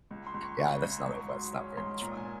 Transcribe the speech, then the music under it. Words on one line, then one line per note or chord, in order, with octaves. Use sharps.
Yeah, that's not o that's not very much fun.
C#2
C6
C#2
C#6
C#3 C#6
C#2 C6
G#2 C#6
F#3 C6
C#4
G#2 C6
A#2 A#5
G#5
A#2